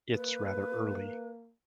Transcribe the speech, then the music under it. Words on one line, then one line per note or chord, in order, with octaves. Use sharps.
It’s rather early.
A#3 B4